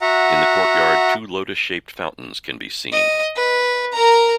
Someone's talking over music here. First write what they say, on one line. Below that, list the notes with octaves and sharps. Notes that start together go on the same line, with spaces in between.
In the courtyard two lotus shaped fountains can be seen.
F#4 E5 F#5 A#5
D#5
B4
A#4 A#5